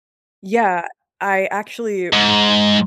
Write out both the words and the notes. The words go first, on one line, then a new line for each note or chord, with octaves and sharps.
Yeah, I actually,
G#2